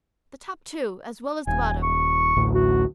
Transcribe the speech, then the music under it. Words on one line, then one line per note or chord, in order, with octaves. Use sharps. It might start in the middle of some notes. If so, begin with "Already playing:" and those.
The top too, as well as the bottom.
D#1 G#5
C#6
A1 D2 A2
F#4